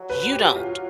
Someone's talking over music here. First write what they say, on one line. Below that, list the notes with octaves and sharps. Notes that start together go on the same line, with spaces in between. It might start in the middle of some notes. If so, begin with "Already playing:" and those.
You don't.
Already playing: F#3
B4
G4
F4